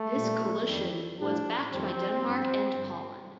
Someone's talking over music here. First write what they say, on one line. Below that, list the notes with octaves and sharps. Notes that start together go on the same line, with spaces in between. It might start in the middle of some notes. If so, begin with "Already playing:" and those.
This coalition was backed by Denmark and Poland.
Already playing: A3
A#2 G3
F2 D#3 G3
A2 F3 D4
F2 D#3 G3 C4
G2 F3
G2 D3 F3